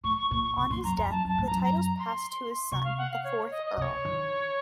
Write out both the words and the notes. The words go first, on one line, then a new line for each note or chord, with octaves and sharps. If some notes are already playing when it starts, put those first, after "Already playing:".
On his death the titles passed to his son, the fourth Earl.
A2 C#6
C#6
A#2 C#6
C#6
C3 C#6
A#2 C6
F#2 A#5
F2 A#5
F#2 A5
F#2
A5
A2
F#2 A#5
A#5
A#5
C6
C3 C#6
F5
F#5
F5
C#5
D#5
D#5
C3 D#5
C#5
D#3